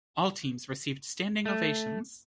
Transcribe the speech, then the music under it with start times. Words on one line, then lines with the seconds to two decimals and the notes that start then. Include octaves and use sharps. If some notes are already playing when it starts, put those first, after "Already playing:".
All teams received standing ovations.
1.46 A3